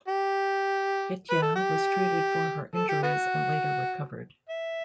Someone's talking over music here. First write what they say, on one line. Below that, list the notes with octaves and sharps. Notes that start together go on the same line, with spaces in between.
Ghetia was treated for her injuries and later recovered.
G4
B4
A4
G4
A4
G4
B3 F#4
E5